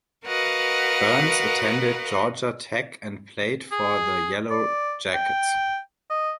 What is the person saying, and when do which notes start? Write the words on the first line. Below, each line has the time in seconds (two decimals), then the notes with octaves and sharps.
Burns attended Georgia Tech and played for the Yellow Jackets.
0.25 F#4 A#4 B4 D#5 F5 F#5
3.72 G#4
4.50 D5
5.14 G5
6.10 D#5